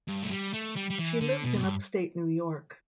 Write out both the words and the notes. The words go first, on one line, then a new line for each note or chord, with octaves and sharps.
She lives in upstate New York.
G2
A3
G3
A3
G3
G3
E3
D3
B2
E2
G2